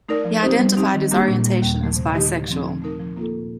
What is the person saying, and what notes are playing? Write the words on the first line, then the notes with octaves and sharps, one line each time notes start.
He identified his orientation as bisexual.
A3 D#4 A#4 D5
F3
C4 D#4 G4 C5
G3
C4 D#4 G4
D#3
G3 A#3 D4 G4
A#2
G3 A#3
D#2
D3 F3 A3
C3
D#3 A3 D#4 G4
D3
F3 C4
F3
A3 D#4 A#4
F3
A#3 F4 A4
A#2